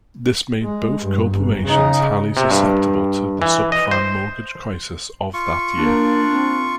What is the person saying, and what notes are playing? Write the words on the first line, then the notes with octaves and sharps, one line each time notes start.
This made both corporations highly susceptible to the subprime mortgage crisis of that year.
G#3
G2
G1
C#3 D#4
C3
G2
E3
D#5
C5
F4 C#6
A#3 D4
C4